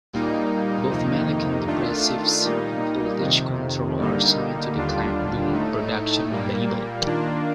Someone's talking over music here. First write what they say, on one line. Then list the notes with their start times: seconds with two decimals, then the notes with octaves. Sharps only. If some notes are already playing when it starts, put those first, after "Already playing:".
Both Mannequin Depressives and Voltage Control are signed to the Klankboom Productions label.
0.13 A#2 G3 A#3 D#4
0.90 F2 C3 D#3 A#3 D#4
1.68 D#3 A3 D4 F4
2.45 A#2 G3 A#3 D#4
3.21 F2 C3 D#3
3.98 D3 G3 A#3 D#4
4.75 D#2 D3 G3 D4 F4
5.53 A2 A3 D#4
6.29 A#2 G3 A#3
7.06 D#3 A#3 D4 F4